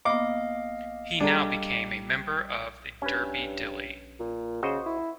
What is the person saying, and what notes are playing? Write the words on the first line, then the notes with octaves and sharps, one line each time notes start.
He now became a member of the Derby Dilly.
A#3 B3 D#5 F5 D6
G3 D4 G#4 A4 A#5
G2 C#4 B4
A#2
C#3 F#4 C5 D#5
E4